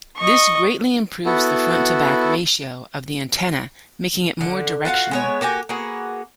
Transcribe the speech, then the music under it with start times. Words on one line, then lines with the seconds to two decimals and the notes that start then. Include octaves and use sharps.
This greatly improves the front-to-back ratio of the antenna, making it more directional.
0.18 D#5 C#6
1.26 B3 E4 F#4 A4
4.41 D3
4.85 F4 F#4 F5 F#5
5.11 G#3 B3 C#5
5.41 A#3 F#4 G4 G#5
5.69 A#3 B3 F#4 G#4